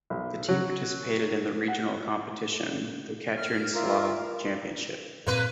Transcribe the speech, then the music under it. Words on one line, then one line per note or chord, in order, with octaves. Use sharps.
The team participated in the regional competition, the Katerynoslav championship.
B1
F#3
F#5
F6
F4 A#4 D5 E5
G2 A#2 A#3 C4 B4